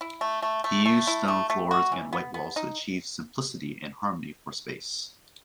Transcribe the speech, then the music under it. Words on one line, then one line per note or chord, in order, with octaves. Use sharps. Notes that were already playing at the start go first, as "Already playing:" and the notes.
He used stone floors and white walls to achieve simplicity and harmony for space.
E4
A3
A3
A3
A3
E4
A3
A3
F#4
E3
B3
B3
D#4